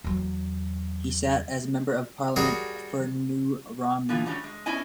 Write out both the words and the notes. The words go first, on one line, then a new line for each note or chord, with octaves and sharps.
He sat as Member of Parliament for New Romney.
E2 F#3
G3 F#4 G#4 A#4 C#5
D3 E3 B3 F4
A2 F#3 G3 C#4 F#4
G#3
B3 C#4 D4 E4 D#5 G#5